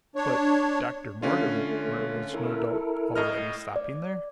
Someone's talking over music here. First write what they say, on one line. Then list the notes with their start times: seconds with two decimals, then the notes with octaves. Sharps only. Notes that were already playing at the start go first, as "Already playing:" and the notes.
"But Dr. Mortimer was no doubt already stopping there?"
0.16 D4 C#5
1.22 D3 A3 C#4 F4
2.34 E4 A4 A#4
3.16 A2 D#5 F6
3.76 D5